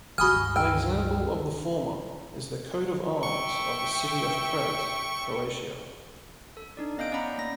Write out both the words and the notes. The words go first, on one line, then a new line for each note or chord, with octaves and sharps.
An example of the former is the coat-of-arms of the city of Cres, Croatia.
C#2 G2 F#4 G#5 B5 D#6 F6
G5 E6 F6
E5 G5 C#6
A4
D4 D#4 D5
B3 C#4 D#5 F5 G6 D7
C#4 D5 D#5 F#5 A#5 B5
A#3 A#6